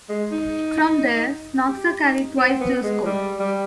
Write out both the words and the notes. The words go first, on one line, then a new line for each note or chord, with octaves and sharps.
From there, Csonka carried twice to a score.
G#3
D#4
G4
D#4
C4
B3
G#3
G3
G3